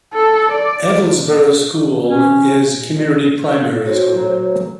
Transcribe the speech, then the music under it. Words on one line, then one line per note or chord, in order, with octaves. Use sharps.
Edlesborough School is a community primary school.
A4
D5
C#4
F#4 C5 C#5
F#3